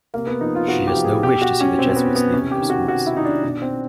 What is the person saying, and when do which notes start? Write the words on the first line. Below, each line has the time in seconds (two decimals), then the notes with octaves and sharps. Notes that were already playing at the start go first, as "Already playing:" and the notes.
She has no wish to see the Jesuits leaving their schools.
0.14 C3 A#3
0.27 B3
0.41 F3 D#4
0.55 F4
0.68 C3 F#4
0.87 G4
0.96 F3
1.04 G#4
1.23 B2 G4
1.42 F#4
1.61 C#4
1.78 B2 C4
1.96 B3
2.16 B3
2.33 C3 C#4
2.51 G4
2.61 D#3
2.70 F#4
2.88 C3 F#4
3.06 E4
3.16 D#3 D#4
3.25 D4
3.44 B2 D4
3.62 C4